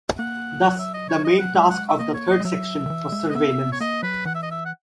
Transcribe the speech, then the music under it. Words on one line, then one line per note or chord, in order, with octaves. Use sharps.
Thus, the main task of the Third Section was surveillance.
A#3 F#5
F#3 F#5
E5
D#5
C#5
D#5
F#5
G#3 E5
F#5
E5
A#3 D#5
C#5
D#5
G#3
F#3 E5
D#3
E3
G#3
D#5
B3 E5
C#5
A#3 D#5
F#3 B4
E3 F#5
E5
D#5
E5
F#5